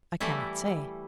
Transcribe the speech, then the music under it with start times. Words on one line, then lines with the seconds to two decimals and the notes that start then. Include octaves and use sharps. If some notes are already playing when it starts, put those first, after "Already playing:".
"I cannot say."
0.20 E3 G3 A3 E4